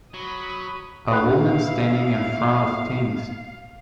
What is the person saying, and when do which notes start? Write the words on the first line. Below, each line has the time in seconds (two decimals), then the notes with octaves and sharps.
A woman standing in front of things.
0.14 F#3 B5 D#6
1.12 A#2 A#3 D4 E4 B4 F5 F#5